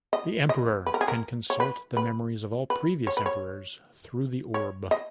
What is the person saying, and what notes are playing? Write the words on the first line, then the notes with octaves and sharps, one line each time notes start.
The Emperor can consult the memories of all previous emperors through the Orb.
D#5
D#5
B4
A#4
G#4
A#4
C#5
B4
B4
B4
C#5
B4
C#5
C#5
D#5